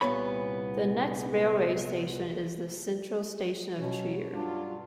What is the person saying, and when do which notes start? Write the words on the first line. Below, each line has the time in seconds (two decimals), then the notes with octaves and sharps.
The next railway station is the central station of Trier.
0.01 C2 A#2 B3 C#5 B5
3.78 B2 F#3 C#4
4.34 G2 F#3 D4 F4